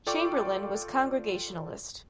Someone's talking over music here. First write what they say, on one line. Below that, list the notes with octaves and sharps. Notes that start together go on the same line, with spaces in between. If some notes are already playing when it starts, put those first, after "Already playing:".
Chamberlain was Congregationalist.
F4 A4 D5 G5 C#6 D6